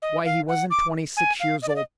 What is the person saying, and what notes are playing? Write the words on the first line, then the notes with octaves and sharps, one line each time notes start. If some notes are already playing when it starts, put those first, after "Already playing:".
Why, he wasn't twenty-six years old.
D#5
F5
F#5
D6
G#5
F5
D#5
D5
D#5